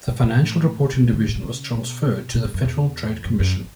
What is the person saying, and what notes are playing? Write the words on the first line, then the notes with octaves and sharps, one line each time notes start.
The Financial Reporting Division was transferred to the Federal Trade Commission.
G#2
A2
B2
C#3
C#3
D3
A2
B2
C#3
B2
B2
G#2
F#2
E2
F#2
F#2